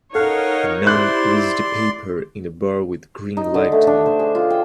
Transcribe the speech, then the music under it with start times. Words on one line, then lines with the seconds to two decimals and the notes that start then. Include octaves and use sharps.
A man reads the paper in a bar with green lighting.
0.15 D#4 A4 A#4 C#5 F5 F#5
0.87 E4 G4 C5 D5 C6 F#6
3.37 D#4
3.54 D3
3.72 A3
3.87 D4
4.06 C5
4.19 G#4
4.35 F4
4.50 G5